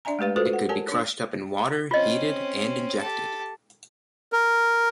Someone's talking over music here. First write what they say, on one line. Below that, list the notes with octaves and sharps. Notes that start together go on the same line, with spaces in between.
It could be crushed up in water, heated and injected.
D4 D5 E5 G#5 A#5
G#3 A3 G4 B4 F5
F4 F#4 A4 B4 C5
F#5
G4 A#4 C#5 G#5 A5
D4 C#5
C4 C#4 F4 D#5
G4 A4
A#4